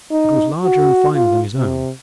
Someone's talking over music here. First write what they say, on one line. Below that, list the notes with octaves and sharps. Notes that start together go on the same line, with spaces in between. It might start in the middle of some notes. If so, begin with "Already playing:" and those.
It was larger and finer than his own.
D#4
F#4
F4
C3